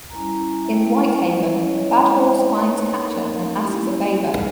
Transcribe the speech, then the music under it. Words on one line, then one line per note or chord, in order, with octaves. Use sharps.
In White Haven, Bad Horse finds Catcher and asks a favor.
A#5
G3 C#4 E4 G#5
E5
G#3 B3 E4 G5
G3 C#4 E4 D#5
C#5
E5
G#3 C#4 E4 D#5
G5
C#5
A#3 D#4 B4
A#3 D#4 A#4
A#3 C#4 E4 G4
G#3 D#4 G#4